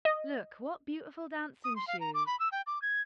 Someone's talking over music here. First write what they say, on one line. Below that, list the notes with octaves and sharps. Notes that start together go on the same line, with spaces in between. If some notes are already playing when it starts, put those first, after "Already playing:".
"Look, what beautiful dancing shoes!"
D#5
D#6
C6
F5
A#5
D6
B5
E6
G5
D6
G#6